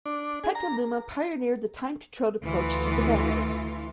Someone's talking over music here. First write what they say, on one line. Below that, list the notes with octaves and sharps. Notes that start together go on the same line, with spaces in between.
Petaluma pioneered the time-controlled approach to development.
D4
G#4
A#5
D2 E3 F4